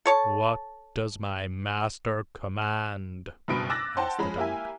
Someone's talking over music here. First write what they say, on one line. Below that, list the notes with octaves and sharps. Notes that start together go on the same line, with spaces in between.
"What does my master command?" asked the dog.
A4 C#5 A5
F#1 G2 B2 B4 D7
D6 E6 F#6 A6 A#6
C5 F#5 G5 A5
F3 G#3 C#4 B5
A#3 E4 G4 E5 G#5